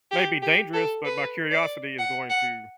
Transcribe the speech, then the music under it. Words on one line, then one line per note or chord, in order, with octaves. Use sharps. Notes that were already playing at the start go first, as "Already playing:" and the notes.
may be dangerous, but my curiosity is going to
G4
G4
A4
B4
D5
F#5
F#5